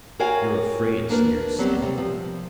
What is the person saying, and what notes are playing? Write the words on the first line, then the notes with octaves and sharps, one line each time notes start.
"You're afraid," sneered Sam.
F#4 A#4 C#5 F5 G5 G#5
A#3 D4 A#4 B4
F#3 G3 B3 C4 G4
C3 G3
F3